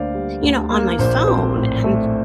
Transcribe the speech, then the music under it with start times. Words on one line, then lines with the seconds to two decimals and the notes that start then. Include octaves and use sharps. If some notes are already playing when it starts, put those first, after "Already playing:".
you know, on my phone, and
Already playing: D2 D3 A#3 C5 D5 F5
0.15 G3
0.43 D2
0.70 A#3
0.99 A#1 C5
1.28 C4
1.56 A2
1.84 A3